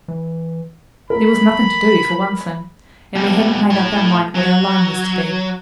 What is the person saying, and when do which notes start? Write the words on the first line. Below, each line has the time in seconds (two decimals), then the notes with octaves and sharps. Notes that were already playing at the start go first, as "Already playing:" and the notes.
There was nothing to do, for one thing; and we hadn't made up our mind what our line was to be.
0.08 E3
1.10 A3 A#4 B5
3.15 B2 G3
3.70 A2 C#5
4.35 F#3